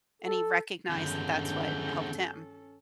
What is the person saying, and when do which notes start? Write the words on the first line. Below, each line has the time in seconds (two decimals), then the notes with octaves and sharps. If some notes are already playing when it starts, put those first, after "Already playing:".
and he recognized that that's what helped him.
0.22 A4
0.90 E2 G2 D3 D#3 C#4 A4 G6